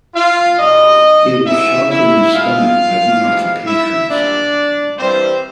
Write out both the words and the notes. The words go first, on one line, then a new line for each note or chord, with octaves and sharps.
He was shot in the stomach by one of the patrons.
F4 F5
B2 G3 D#4 D#5
G#2 D#3 G#3 E4 E5
E4 E5
B2 G#3 F4 F5
C3 E3 G#3
E4 E5
A#2 G3 D4 D5
G2 E3 G3 C4 C5